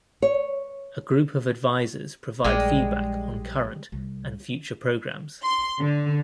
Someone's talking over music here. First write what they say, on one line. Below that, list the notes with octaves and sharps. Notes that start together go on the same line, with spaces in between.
A group of advisers provide feedback on current and future programs.
C#5
A#1 G3 G#3
C2
C6
D3